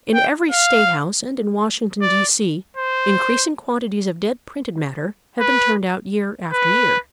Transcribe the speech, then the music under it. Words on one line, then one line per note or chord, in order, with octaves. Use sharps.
In every state house, and in Washington, D.C., increasing quantities of dead printed matter have been turned out year after year.
G5
F5
D5
C5
B4
B4